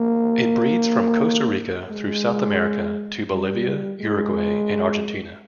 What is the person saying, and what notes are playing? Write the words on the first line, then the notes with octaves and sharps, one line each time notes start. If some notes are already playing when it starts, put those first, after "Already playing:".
It breeds from Costa Rica through South America to Bolivia, Uruguay, and Argentina.
Already playing: A#3
G#3
G3
G#3